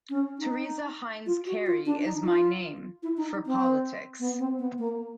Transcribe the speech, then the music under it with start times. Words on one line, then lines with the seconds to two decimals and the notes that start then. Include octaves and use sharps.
Teresa Heinz Kerry is my name... for politics.
0.10 C#4
0.39 D#4
1.26 F4
1.46 F#4
1.66 F4
1.85 D4
2.05 D#4
2.24 F4
3.03 E4
3.17 D#4
3.46 C4
4.20 B3
4.39 C4
4.59 B3
4.78 A#3